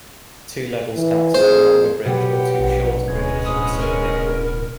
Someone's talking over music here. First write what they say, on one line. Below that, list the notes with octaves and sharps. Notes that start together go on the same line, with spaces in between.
Two-level stacks have a longer bridge or two shorter bridges on the same roadway.
E3
F2 G#4 C5
B2 F#3 B3 G4 F#5
A#1
D1 G#3 B3 C#4 G#6
D#6
A#4